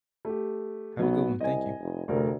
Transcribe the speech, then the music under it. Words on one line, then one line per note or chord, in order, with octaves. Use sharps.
have a good one, thank you.
A3 G4
B1 F#3 B3
C2 D#5 G#5
F1
F1 D2 A3 A#4